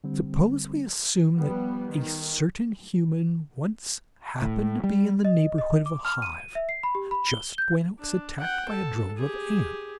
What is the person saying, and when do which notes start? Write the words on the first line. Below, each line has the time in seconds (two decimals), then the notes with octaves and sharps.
Suppose we assume that a certain human once happened to be in the neighborhood of a hive, just when it was attacked by a drove of ants.
0.04 D3 G3 C4
1.38 F3 G3 B3
1.86 D#3
4.42 A2
4.84 G3
5.25 D#5
5.58 D#5
5.86 D6
6.05 F6
6.22 D#7
6.55 E5
6.69 C7
6.83 B5
6.95 G4
7.11 B5
7.30 G7
7.58 G6
7.99 D4
8.39 F#5 G5
8.69 A4
9.17 G4 G#4